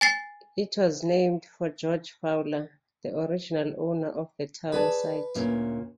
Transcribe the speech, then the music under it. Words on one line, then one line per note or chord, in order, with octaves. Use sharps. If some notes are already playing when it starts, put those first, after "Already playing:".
It was named for George Fowler, the original owner of the town site.
G#5 A6 C7
G#4 B4 D5 A5
D2 A#2 C#4